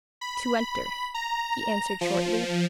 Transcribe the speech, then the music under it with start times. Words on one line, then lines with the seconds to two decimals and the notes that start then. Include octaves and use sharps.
'To enter,' he answered shortly.
0.21 B5
1.14 A#5
2.01 F3